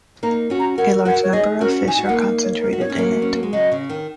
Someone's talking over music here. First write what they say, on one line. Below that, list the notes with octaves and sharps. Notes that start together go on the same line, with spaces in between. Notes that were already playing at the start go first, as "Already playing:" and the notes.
A large number of fish are concentrated in it.
A#3 D#4 A#5
C#4 F#4
A#5
F#4 A#4 F#5
F#4 A#4 F#5
C#5
D#4 G#4 D#5
C#4 F#4 A#4
D#4 G#5
F#4
F#5
A#3 D#4
C#5
A#4
F#4
D#4 C#5
C#4
F#3 A#3
C#4
A#3
G#3
C#3 F#3 D#5
C#3
D#3